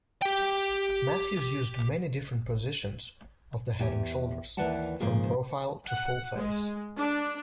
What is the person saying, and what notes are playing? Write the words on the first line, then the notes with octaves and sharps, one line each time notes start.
Matthews used many different positions of the head and shoulders, from profile to full-face.
G4 G5
E2 G4 G#5
D#2 E3 B4 D5 F#5 A5
G#2 C#3 F3 A#3 F4 G#4
F#5
G#3
D4